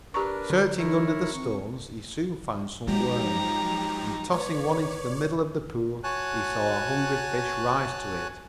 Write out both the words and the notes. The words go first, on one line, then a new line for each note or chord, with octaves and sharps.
Searching under the stones he soon found some worms, and, tossing one into the middle of the pool, he saw a hungry fish rise to it.
D4 G4 A#4 B4 A#5 C#6
D3 F#3
D#4 E4 A#4 C#5
C4 C#6
F3 F#3 G#3 D#4 G4 A#5
B4 C#5 D5
F#4 C#5 G#5 A5 F#6